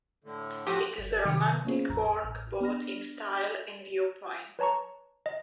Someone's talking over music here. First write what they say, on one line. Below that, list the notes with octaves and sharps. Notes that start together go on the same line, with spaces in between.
It is a romantic work, both in style and viewpoint.
A2 D3
A2 F3 C4 F#4 G4 D#6
G1
C3 D#3 F#3 C6 G#6 C#7
A#3 B3 C#4 F4 G#4 C5
A1 F2 A#5 G#6
A1 F6
B3 D4 F6 A#6
B4 C#5 A5 A#5 C#6
D#5